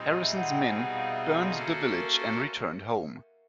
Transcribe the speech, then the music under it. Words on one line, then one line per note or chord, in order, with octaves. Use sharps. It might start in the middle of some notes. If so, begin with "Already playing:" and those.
Harrison's men burned the village and returned home.
Already playing: A#2 G3 C4 D#4 G#4 D#5
E5
F#5
G5
B2 G3 C4 D#4 G#4 G#5
F#5
F5
E5
A#3 C#4 F#4 A4 C5
A#4